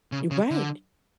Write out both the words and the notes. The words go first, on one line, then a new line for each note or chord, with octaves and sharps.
You right.
C#3
C#3
D3